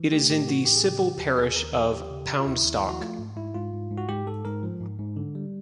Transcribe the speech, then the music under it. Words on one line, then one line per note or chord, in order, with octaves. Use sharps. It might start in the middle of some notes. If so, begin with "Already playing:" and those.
It is in the civil parish of Poundstock.
Already playing: E3
A3 G4
A2 G4
E3 F#4
A2 G4
G#4
C#3 G4
F3
D#2
D#2 G#4
D#2 A#4
F3 A4
D#2 G4
C#3
C#3
F4
D#2 E4
D#2
F3
F#4
A3 F4
G#2
G#2 E4
G#2 F4
G#2
G#2
F#4
G#2 G4
G#2 A4
G#2 A#4
F3
G#2
G#2
D3
G3